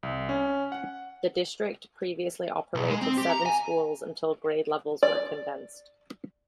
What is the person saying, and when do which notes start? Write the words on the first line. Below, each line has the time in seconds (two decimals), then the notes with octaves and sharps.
The district previously operated seven schools until grade levels were condensed.
0.03 C2
0.29 C#4
0.72 F#5
2.75 B1
2.90 G#3
3.02 C4
3.18 G4
3.30 A#5
3.46 G#5
5.03 D5